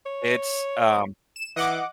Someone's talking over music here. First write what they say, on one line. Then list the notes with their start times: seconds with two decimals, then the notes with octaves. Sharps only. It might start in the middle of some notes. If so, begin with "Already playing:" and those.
it's, um
0.06 C#5
1.36 E7
1.56 E3 D#5 F#5 D6